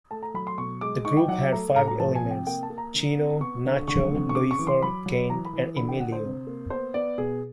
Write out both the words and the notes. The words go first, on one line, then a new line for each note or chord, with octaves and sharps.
The group had five elements: Chino, Nacho, Luifer, Kent and Emilio.
A3 A5
A#5
F#3 B5
C6
B2 C#6
G#3 D6
D#4 C#6
G5
F#3 F#5
E5
A3 A#5
A2 A#5
A#5
F3 A5
G#5
C3
G5
A#3 G5
A5
A#3
A#5
D3
C4
B3 C#6
D3
D3 C#6
C4
C#6
C#3 D6
C#6
E3
C6
F#3 B5
F#3
E3 A#5
B5
E3
D3 B5
G5
D3 F#5
C5
C3
A#3
B3 C5
B3 D5
B2 G#4